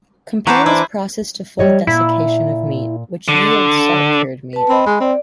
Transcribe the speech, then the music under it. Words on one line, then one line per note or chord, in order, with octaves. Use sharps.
Compare this process to full desiccation of meat, which yields salt-cured meat.
E3 B4 C5 F#5 A5 A#5 C#6 D6
D4 E4 C5 D6
G3 C#5 D#5
A#2 E4
D3
B4 A5
C4 D#5 B5
G#3
C4 D5